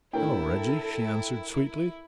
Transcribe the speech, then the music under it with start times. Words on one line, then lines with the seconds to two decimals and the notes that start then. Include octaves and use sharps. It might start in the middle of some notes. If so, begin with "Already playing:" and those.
"Hello, Reggie!" she answered sweetly.
0.13 A2 D3 E4 A4 A#4 G5